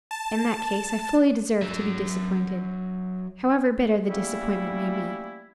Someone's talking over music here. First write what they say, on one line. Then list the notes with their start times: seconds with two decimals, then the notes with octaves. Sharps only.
In that case I fully deserve to be disappointed, however bitter the disappointment may be.
0.11 A5
1.62 F#3 E5
4.10 G3 A3 A#3 C#4 E4